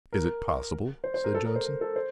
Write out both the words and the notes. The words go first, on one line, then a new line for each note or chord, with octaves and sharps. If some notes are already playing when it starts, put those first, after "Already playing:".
"Is it possible?" said Johnson.
A#4
C5
C5
A#4
A4
A#4
C5
A#4
A4
C5